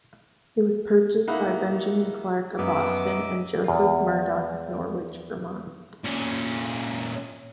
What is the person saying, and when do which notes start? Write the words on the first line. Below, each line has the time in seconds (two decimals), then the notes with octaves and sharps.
It was purchased by Benjamin Clark of Boston and Joseph Murdock of Norwich, Vermont.
1.28 A#3 D#4 E4 F#5 B5
2.59 F#2 F#3 B3 D#5 E5 D6
3.64 E2 F4
6.04 A#2 C#4